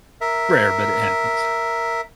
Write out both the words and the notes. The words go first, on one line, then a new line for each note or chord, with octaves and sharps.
Rare, but it happens.
A#4 E5